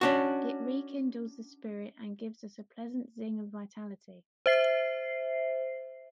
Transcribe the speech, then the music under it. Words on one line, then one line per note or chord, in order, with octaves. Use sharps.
It rekindles the spirit and gives us a pleasant zing of vitality.
C#4 D4 F#4
C5 E5 C7